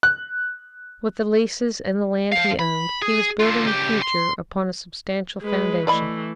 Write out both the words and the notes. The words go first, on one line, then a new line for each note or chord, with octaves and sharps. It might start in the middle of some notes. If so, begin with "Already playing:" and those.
With the leases, and the land he owned, he was building the future upon a substantial foundation.
F#6
F3 F5
B5
G#4
D3 F4
C#2 G4
C6
G#3 B4
E3 A3 D5 D#5 B5